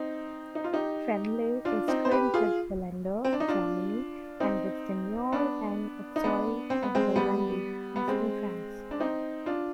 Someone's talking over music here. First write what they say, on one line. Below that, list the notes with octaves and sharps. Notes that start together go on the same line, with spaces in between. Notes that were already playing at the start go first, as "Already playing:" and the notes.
Cranleigh is twinned with Vallendar, Germany, and with Semur-en-Auxois in Burgundy, eastern France.
Already playing: C4 D#4
D#4
F4
D#4 G4
D4 F4
C4 D#4
C5
G4 B4
F4 G#4
C4
D4
D#4
D4 F4
C4 D#4
B3 D4
D#4
B3 D4
C4
B3
G#3 C4
G3 B3
B3
G#3 C4
D4
C4 D#4
D4 F4